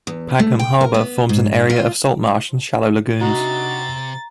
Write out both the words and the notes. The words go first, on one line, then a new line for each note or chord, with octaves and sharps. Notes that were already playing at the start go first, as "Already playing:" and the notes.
Pagham Harbour forms an area of saltmarsh and shallow lagoons.
E2
A3
G5
A#4
B3
G#2
F4
C3 D4 D#4 F#4 A#5 A6